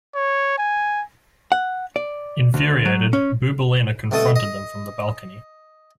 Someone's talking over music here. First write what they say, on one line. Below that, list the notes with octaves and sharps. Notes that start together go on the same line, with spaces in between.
Infuriated, Bouboulina confronted them from the balcony.
C#5
G#5
F#5
D5
D2
F#3
C#4
C2 B2 A3 A4 D#6
D#5